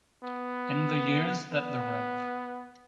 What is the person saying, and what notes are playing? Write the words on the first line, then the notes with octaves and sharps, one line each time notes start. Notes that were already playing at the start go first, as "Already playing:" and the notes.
In the years that the Rev.
B3
B3